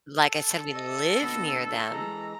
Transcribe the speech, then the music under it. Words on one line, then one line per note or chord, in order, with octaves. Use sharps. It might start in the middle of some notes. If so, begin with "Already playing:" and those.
like I said, we live near them.
A4
D#5 E6
D2 B2 B3
E3 G#3 A#5